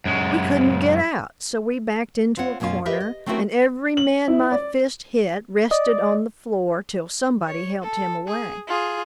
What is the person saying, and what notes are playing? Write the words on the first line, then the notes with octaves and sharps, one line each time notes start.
We couldn't get out, so we backed into a corner; and every man my fist hit rested on the floor till somebody helped him away.
F#2 G#3
C4 F4 C#5 F#5
F#2 B2 A#3 C#4 F4
G4 A#4 B4 D#5 E5
D#5
A3 C4 C#4 E4 F#4 A#4
F#7
E4
D5
D5 D#5
C#5
A4
G#4
F4 G#4